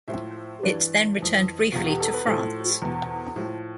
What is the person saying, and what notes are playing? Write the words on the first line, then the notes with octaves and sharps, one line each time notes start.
It then returned briefly to France.
A2 F3 C5 E5
G2 E3 B4 D5
E3
F2
E2 B2 F4
G4
A4
B4
A2 F3 A4 C5
E2 B2
A2 F3